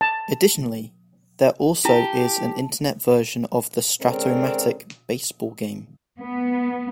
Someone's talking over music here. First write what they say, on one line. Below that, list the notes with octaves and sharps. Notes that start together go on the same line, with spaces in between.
Additionally, there also is an Internet version of the Strat-O-Matic Baseball game.
A5
E4 G4 A5
D3 G#3 C4 C#4 A#4 D5
B3